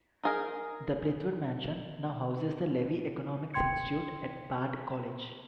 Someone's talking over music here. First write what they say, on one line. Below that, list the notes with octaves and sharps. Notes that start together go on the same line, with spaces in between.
The Blithewood mansion now houses the Levy Economics Institute at Bard College.
D#4 G#4 A#4
G5 C6 G#6 C#7